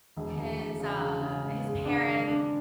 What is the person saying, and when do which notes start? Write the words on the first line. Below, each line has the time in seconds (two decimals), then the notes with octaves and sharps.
His, uh his parent
0.17 E1
0.37 E1
0.58 E1
0.79 C#3
1.01 C#3
1.21 C#3
1.44 G#2
1.65 G#3
1.85 D4
2.07 G#1
2.28 D4